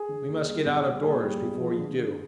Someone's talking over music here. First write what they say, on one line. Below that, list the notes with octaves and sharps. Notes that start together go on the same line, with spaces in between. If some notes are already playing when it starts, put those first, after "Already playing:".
We must get out of doors before you do.
Already playing: G#4
D3
D#2
G3
B1
G3
A#2 G#4
G3
B1
F3
D3
D3